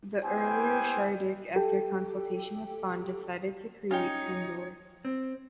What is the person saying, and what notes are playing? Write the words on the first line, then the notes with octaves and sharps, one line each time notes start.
The earlier Shardik, after consultation with Fawn, decided to create Pendor.
B3 E4 G4 C5 G5 G#5
G4 A4 G5
C#4 D#4 F4 C#5 G5
C4